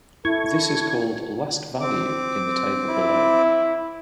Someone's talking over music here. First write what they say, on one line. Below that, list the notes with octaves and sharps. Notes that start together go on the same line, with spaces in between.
This is called "last value" in the table below.
E4 A4 C#6 G#6
C4 D6
E4